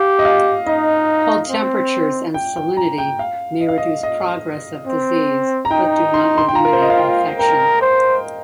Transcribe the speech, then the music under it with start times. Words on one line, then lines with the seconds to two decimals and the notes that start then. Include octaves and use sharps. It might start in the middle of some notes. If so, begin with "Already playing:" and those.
Cold temperatures and salinity may reduce progress of disease, but do not eliminate infection.
Already playing: G4 F5
0.19 D#5
0.25 F5
0.66 D#4 D#5
1.50 C4
2.34 G5
2.56 G5
2.77 A#5
2.98 G5
3.19 F5
3.61 D#5
3.69 F5
3.78 D#5
4.03 D#5
4.87 C4
5.65 A#5
5.71 D#4 G5
6.14 C6
6.38 C6
6.49 G5
6.55 F4 A#5
6.65 A#4
6.73 C5
6.82 D#5
6.90 F5
6.98 G5
7.39 A#4 G5
7.81 C5